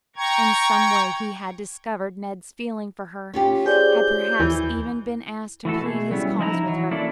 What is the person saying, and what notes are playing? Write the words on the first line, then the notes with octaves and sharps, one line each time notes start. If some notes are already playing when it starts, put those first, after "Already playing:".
In some way he had discovered Ned's feeling for her, had perhaps even been asked to plead his cause with her.
G5 A#5 C#6 G#6
C#4 F4 G4
G#4 C5 D5 G6
D#2 E3
E3 A3 F#4 A4
B2 A3 G#4
F#3 G3 B3 C#4 E4
F3 D#4 E4 D#5 G5 A#5
E3 F#3
A#3 C#4 D4 E4 A4 D5